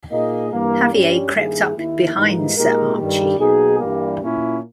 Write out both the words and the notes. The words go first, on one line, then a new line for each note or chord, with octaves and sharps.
Xavier crept up behind Sir Archie.
A#2 A#3 D#4 G#4 D#5
G2 E3 G3 A#3
G2 G3 C#4
G2 D#3 A#3 E4 G#4
D#2 D#3 A#3 E4
G#2 E3 G3 A#3 D#4
A#2 G#3 D#4 G4 A#4
G2 D#3 G3
B1 B2 A#3 D#4 G#4
G2 E3 G3 A#3
A#2 A#3 C#4 E4